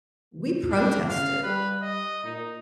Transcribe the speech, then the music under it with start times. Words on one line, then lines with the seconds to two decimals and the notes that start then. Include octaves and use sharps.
we protested,
0.36 C3
0.70 A#2 D4
1.09 C#3 F5
1.43 G3 B4
1.82 D#5
2.24 A#2 D#4